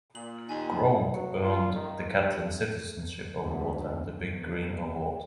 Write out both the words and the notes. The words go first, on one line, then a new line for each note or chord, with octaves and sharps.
Grobe earned the Catlin Citizenship Award and the Big Green Award.
A#2 F#7
D#2 D#4 G#5
F#3
F4
D#3
G2
D2 G#2
E2